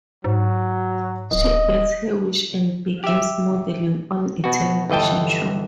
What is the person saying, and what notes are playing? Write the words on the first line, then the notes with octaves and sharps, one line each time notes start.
She gets her wish and begins modeling on a television show.
G#2 F#3
D1 D#5
G4 E5
B2 F#4
G1 E3 D#5 G5 A5